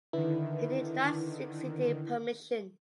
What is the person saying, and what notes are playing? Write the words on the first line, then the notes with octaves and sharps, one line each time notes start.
He did not seek city permission.
D3 D#3 E4 B4